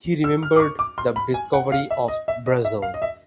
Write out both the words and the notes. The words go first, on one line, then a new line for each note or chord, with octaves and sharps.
He remembered the discovery of Brazil.
E6
F6
D6
C#6
D6
C6
B5
G#5
F#5
F5
E5
D#5
E5
D#5
E5
F5
D#5
E5